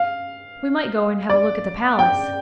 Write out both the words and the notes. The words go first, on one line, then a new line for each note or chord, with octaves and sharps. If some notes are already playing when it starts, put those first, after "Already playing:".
'We might go and have a look at the Palace.'
Already playing: F5
D5
G5